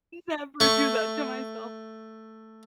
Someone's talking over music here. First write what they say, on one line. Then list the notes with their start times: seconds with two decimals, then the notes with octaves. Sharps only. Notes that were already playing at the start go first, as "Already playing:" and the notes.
Never do that to myself.
0.60 A3 C#6